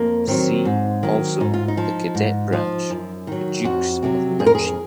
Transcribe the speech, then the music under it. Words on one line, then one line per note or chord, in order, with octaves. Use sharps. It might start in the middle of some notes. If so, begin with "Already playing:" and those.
See also the cadet branch, the Dukes of Mouchy.
Already playing: F2 A#3
D#3 F#3 C4
G#2
D#3 F#3
G#2 D#4
F4
D#4
F3
G#2
F3
F#2
D#3 F#3
F2 F#4
C3 D#3 F#3
F2 G#4
A#4
G#4